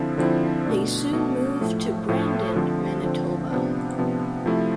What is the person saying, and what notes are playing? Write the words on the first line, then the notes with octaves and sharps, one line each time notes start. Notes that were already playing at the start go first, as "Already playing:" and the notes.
They soon moved to Brandon, Manitoba.
Already playing: D3 F3 C4 E4
D3 F3 C4 E4
B2 A3 D4
B2 A3 D4
A2 F3 A3
A2 F3 A3
D3 F3 C4
D3 F3 C4
C3 F3 B3 D4
C3 F3 B3 D4
C3 F3 A3 E4